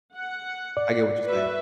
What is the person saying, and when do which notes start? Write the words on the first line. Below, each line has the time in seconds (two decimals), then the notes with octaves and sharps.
I get what you're saying.
0.14 F#5
0.77 D5
1.25 F#4 B4 E5